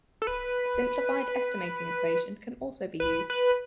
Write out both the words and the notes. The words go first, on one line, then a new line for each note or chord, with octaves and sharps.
A simplified estimating equation also can be used.
A4
B4
B4
B4